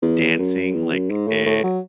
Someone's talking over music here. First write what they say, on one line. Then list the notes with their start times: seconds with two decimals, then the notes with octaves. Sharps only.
dancing, like, e
0.02 E2
0.39 F#2
0.74 E2
0.92 F#2
1.10 G#2
1.27 A2
1.46 A2
1.64 F#3